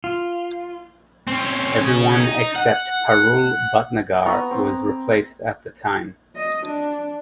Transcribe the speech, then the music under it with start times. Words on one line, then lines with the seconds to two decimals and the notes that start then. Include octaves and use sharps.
Everyone except Parul Bhatnagar was replaced at the time.
0.04 F4
1.28 C4 C#4
1.81 C#4 G#4
2.21 D#4
2.56 F#5
4.25 B3 A#5 C#6
4.51 C4
6.36 D#5
6.66 D4